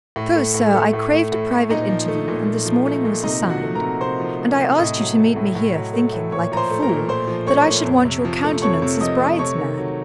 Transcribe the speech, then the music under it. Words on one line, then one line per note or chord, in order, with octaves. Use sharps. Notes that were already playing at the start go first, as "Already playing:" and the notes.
So, sir, I craved a private interview, and this morning was assigned; and I asked you to meet me here, thinking, like a fool, that I should want your countenance as bride's-man.
A2
A3
A2
A3
A2
A3
A2
A3
A#2 D#4 D#5
F3
A3
A#2
A#2
F3
A3
A#2
C3 D#4 D#5
F3
F#4 F#5
A3
A#4 A#5
C3
C3 C5 C6
F3
A3
C3
A2 D#5 D#6
F#3
A3
A2
A2
F#3
A3
A2
A#2 C#5 C#6
F3 A#5
C5 C6
A3
A#4 A#5
A#2
A#2 C5 C6
F3
A3 C#5 C#6
A#2
F2
C3
F3
A3
F2 C#5 C#6
C3
F3 D#5 D#6
A3
C3 C#5 C#6
D#3
F#3